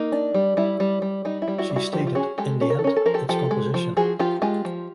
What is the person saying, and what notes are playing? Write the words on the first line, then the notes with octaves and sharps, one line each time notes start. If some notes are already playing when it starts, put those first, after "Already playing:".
She stated, In the end, it's composition.
Already playing: A#3 D#4
D4
G3
G3 E4
G3
G3
G3 D#4
E4
G3
E4 F#4
G3
E4 F#4
F3 G4
F#4
F4 G4
C#4 F#4 G#4
G#3 G4 A4
C#4 A4
A#4
A4
C#4 A#4
A4
F3 A#4
G4 A4
F3 G4 A4
G#3
F3
F3 F#4 G#4
F3 F4 G4
G#3 F4 G4
F3